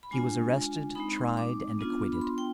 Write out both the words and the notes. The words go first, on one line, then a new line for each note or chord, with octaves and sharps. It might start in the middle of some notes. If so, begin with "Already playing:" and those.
He was arrested, tried, and acquitted.
B5
G#3 D4 F4 G#5
G#3 C4 D#4 B5
C6
D6
B3 D4 F4
B5
C6
G5